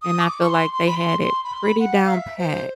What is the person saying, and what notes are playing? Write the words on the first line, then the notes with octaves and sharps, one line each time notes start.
and I feel like they had it pretty down pat
D#6
C#6
D6
C#6
C6
C6
B5
C6
C6
B5
C6
B5
F#5
F5
E5
C5